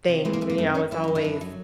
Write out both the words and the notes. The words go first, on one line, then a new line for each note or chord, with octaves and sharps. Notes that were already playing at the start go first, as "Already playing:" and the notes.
thing, you know, it's always
C3
G#3 A3
A#3
C3 A3
A#3
F#2 A3 B3
F#2 C#4 D#4
F#2 E4
F#2 D#4
D4 E4
F#2
F#3